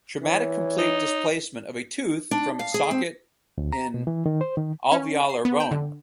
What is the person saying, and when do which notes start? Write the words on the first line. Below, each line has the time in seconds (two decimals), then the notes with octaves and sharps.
Traumatic complete displacement of a tooth from its socket in alveolar bone.
0.23 E3 C#5
0.79 D#4
2.31 D4
2.59 F5
2.74 G#4
2.91 C4
3.58 D2
3.73 A#5
3.94 B2
4.07 E3
4.26 D#3
4.41 C5
4.57 D#3
4.92 C#4
5.29 C7
5.45 B3
5.60 G5
5.71 D3